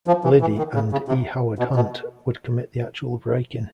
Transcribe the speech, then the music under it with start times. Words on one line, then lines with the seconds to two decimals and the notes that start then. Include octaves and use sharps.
Liddy and E. Howard Hunt would commit the actual break-in.
0.07 F3
0.24 E3
0.41 E3
0.58 D#3
0.75 C#3
0.92 C#3
1.08 C3
1.59 B2
1.76 B2